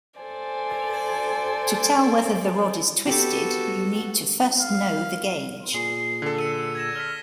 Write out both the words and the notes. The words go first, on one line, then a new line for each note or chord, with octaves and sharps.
To tell whether the rod is twisted, you need to first know the gauge.
A4 C5 D5 G#5
B3 F#4 G4 A4 B5 D6
F5
A#2 G#4 C7
D3 A4
E6 C#7 D#7
G#6 A#6 E7
F6 B6 G7